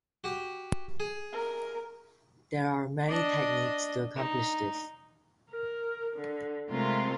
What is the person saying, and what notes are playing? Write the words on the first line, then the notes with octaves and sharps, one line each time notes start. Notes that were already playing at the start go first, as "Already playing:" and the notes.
There are many techniques to accomplish this.
F#4 G4
G#4
A#4
D4 D#5
D#4
A#4
D3
C3 G#3 A3 C4 F4 A#4